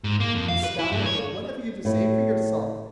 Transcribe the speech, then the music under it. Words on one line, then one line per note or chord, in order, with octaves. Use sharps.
You scoundrel, what have you to say for yourself?
G#2
A#3
F2
F5
B4
E4
G2
C#5
A2 E4